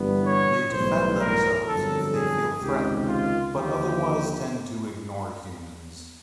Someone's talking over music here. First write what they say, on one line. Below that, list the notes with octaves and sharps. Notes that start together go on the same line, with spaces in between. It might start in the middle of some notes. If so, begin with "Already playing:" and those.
They defend themselves if they feel threatened, but otherwise tend to ignore humans.
Already playing: G1 G2 E3 G3 B3
C#5
B1 A2 E3 G3 B3 C5
A#4
G1 F2 D3 F#3 A4
G#4
C#2 C3 D#3 G4
F4
D#2 D3 F3 G4